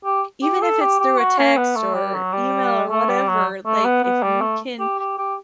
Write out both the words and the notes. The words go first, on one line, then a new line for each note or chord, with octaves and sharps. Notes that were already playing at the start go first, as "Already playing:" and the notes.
even if it's through a text or email or whatever, like, if you can
G4
G4
A4
G4
G4
F#4
C#4
B3
A3
G3
F#3
G3
A3
G3
F#3
A3
B3
B3
G3
A3
G4
G4
G4